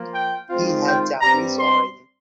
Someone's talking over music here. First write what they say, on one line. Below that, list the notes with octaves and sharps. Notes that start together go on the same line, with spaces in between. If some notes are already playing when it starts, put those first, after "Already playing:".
He has Japanese origin.
Already playing: F3 A#3 F4
G5
D#3 G#3 C4 F4
G5
G2 G3 C4 A#5
C6